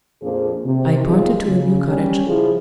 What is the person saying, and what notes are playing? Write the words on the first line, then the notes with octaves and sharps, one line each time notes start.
I pointed to the new cottage.
F2 A#2 F3 A#3 D4 G#4
C3
G3 B3 D#4 F4 G4 G#4
C#3
G3 C#4 G4
C#3 F3 G3 E4 G#4